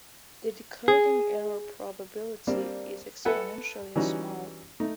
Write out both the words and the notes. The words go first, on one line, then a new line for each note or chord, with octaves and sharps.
The decoding error probability is exponentially small.
G#4
G3 A#3 C4 D4
A4 B4 E5 F#5 G#5
E3 G3 C#4 D#4 F#4
A3 D#4